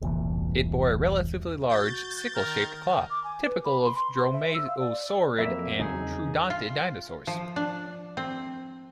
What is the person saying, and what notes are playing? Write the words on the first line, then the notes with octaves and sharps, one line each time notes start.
It bore a relatively large, sickle-shaped claw, typical of dromaeosaurid and troodontid dinosaurs.
E1 C2 A#2 E3
F#4 G6 A6
D#3 A#4
D6
G#5
B4
B5
C6
C6
C5
E5
E6
F5
D5
D5
F2 F#3 A#3 E5
E2 C#3 F#3 C4 D#4 G#4
E3
F4
F3
D4
C4